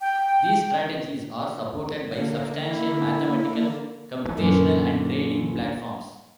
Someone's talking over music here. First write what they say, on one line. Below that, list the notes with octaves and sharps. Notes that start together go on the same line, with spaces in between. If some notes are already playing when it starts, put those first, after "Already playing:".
These strategies are supported by substantial mathematical, computational, and trading, platforms.
G5
D3 A#3
E4
F#2 A#2 D3 D#3 A#3